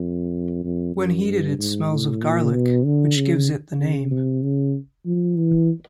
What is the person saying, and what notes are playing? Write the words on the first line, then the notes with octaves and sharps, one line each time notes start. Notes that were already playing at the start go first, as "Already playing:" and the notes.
When heated it smells of garlic, which gives it the name.
Already playing: F2
F2
F#2
G2
G#2
A2
A#2
B2
D3
C#3
C#3
C3
C#3
F3
E3